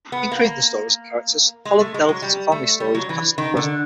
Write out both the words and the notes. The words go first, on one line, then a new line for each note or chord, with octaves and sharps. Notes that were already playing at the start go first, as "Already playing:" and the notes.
In creating the stories and characters, Holland delved into family stories, past and present.
B3
A#3
G#3
A3
G#3
F#3
G3
A3
G3
F#3
E3
D#3
D3